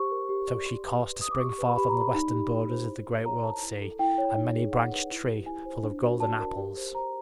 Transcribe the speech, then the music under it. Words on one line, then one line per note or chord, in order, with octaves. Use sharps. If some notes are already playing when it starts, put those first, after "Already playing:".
So she caused to spring forth on the western borders of the great world-sea a many-branched tree full of golden apples.
Already playing: G4 C5 C#6
A#4
G4
D5
G4 C6
B4
G4
D5 D#6
D6
G4 C#6
B4
B5
G4 B5
A#5
D5
B5
D#4
G4
D#4
C5
E4
G4
C#5 A#5
A#4 A5
E4
A4
E4 G5
C#5
D#4
G#4
D5 F#5
B4
E4
G4
E4 G#5
C5
D4
F#4
D5 A5
A#4
G4
C5
C5 A#5